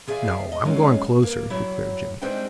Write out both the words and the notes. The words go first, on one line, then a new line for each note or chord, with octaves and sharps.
"No, I'm going closer," declared Jimmie.
F4 G#4 D5 E5 F5
D#5
F#3 G#3 C#4 D#4 F4 G#4
A#3
F#3 E4
G3 G#3 C4 D4 D#4 G5